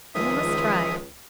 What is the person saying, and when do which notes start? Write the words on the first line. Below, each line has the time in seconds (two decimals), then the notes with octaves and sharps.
You must try.
0.15 C#2 D#3 F3 G#3 E5 D#6